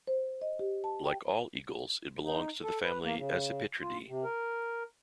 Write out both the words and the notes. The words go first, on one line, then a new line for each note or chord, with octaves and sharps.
Like all eagles, it belongs to the family Accipitridae.
C5
D#5
G4
A5
G5
D#4
A4
B4
A#3
C#3
F4
C3
A#4